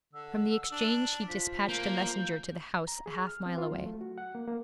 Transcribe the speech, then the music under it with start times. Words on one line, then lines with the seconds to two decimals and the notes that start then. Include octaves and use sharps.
From the exchange he dispatched a messenger to the house a half-mile away.
0.14 D3 E6
0.72 D4
1.28 F3 B6
1.69 A#3 G6
2.87 A#5
3.06 G#4
3.27 F6
3.46 C4
3.58 F4
3.71 F#3
3.86 A3
4.01 F#4
4.18 F#5
4.35 A#3
4.47 A#3